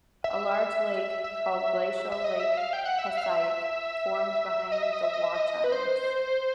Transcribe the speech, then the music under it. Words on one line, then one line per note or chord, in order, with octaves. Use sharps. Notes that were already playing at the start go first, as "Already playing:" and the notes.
A large lake, called Glacial Lake Passaic, formed behind the Watchungs.
E5
E5
E5
D#5
E5
F5
G5
F#5
E5
E5
F5
E5
D#5
E5
D#5
E5
D#5
E5
D#5
B4
C5